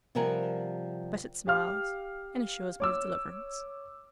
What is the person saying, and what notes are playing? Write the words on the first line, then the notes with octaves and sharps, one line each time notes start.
But it smiles--it assures me of deliverance.'
C3 F3 G3 A#4 F#5 G#5
G4 F5 F6
C#5 D6 E6